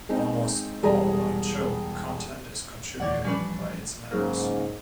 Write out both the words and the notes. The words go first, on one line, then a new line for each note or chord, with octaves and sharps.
Almost all of Chowk content is contributed by its members.
G#3 C4 D#4 C5
E1 G3 G#4 A#5
D1 E2 A2 C#5 D5 F#5
A1 F3 G3 C#4 D4 B4
G#2 C#3 F#3 A#3